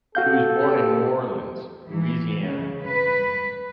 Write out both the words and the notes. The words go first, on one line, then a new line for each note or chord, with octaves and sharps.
She was born in New Orleans, Louisiana.
F#4 A4 F5 G6
G4
E3
C#3
B4